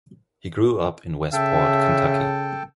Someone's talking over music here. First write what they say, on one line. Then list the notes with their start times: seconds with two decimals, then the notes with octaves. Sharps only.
He grew up in Westport, Kentucky.
1.33 C#3 A4 E5 G5 A5